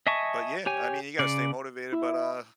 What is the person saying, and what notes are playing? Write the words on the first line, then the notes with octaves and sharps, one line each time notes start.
But yeah, I mean, you gotta stay motivated, but, uh,
D#5 E5 G#5 A5 C#6
G4 C#5 G#5
C#3 D5
E4